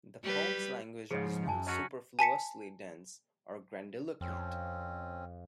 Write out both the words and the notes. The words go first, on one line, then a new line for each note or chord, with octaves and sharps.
The poem's language is not superfluously dense or grandiloquent.
G3 G4 B4
G#2 C#3 F3 G#4 C#5 D#5
F#2 G#5 A5
F#3 C#4 F#4 D#5
G#5 A5 B6 C#7
F2 C4 C#4